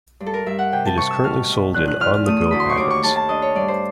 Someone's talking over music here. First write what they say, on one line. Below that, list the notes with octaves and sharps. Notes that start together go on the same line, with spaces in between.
It is currently sold in "On The Go" packets.
G2
A4
A#4
G2 E5
F#5
C3 G5
A5
C3 C#6
E6
B2 F6
B2
E2 F#6
F#6
E2 F6
F6
A3 D#6
D2 B5
C6
C#6
D#2 D6
C#6
D#2 A5
A5
D4 D#5
C#5
G2 D5
C5